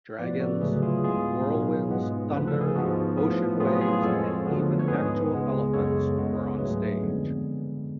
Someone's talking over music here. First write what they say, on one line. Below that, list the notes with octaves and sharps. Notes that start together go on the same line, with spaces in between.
Dragons, whirlwinds, thunder, ocean waves and even actual elephants were on stage.
A2 F3 B3 B4 D5
F#4 A4
D2 C#3 F#3 A3 G#4 B4
F4 G#4
A2 G#3 B3 F4 G#4
B2 F#3 B3
G#2 G#3 B3
D2 C#3 F3 B4
A4
G#4
G#2 F3 G#3 B3 F#4
A2 F3 B3
A2 F#3 B3 F4 G#4
F4 G#4
F2 F3 G#3 A4 C#5
D2 D3 F3 B3
C#5
G#2 G#3 B3 G#4 B4
C#2 C#3 G#3 B3
F#2 C#3 G#3 B3 A4 C#5
C#2 C#3 G#3 B3
G#2 F#3 A3 G#4 B4
F2 D3 G#3 B3